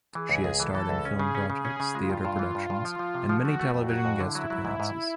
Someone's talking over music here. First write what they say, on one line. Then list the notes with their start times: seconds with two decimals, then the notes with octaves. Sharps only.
She has starred in film projects, theatre productions and many television guest appearances.
0.15 E3 G#4
0.29 C#2
0.44 C#2
0.60 E3 A4
0.75 E3
0.89 C#2
1.05 C#4 G#4
1.19 C#3
1.35 C#4
1.50 C#3 G#4
1.65 C#4
1.80 C#3
1.95 G#3 F4
2.10 G2
2.25 G2
2.39 E3
2.55 G2
2.70 G2
2.85 F3
2.99 F3
3.15 C3
3.29 F3 F#4
3.45 A3
3.60 A3
3.74 F2 F#4
3.90 F#3
4.05 F2
4.20 D3 E4
4.35 F#3
4.50 F#3
4.65 G#2
4.80 G#2